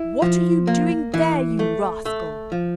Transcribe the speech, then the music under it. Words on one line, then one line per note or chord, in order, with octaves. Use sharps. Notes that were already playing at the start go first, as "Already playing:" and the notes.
"What are you doing there, you rascal?"
Already playing: E4
F3
A#3
E3
A3
A3
F3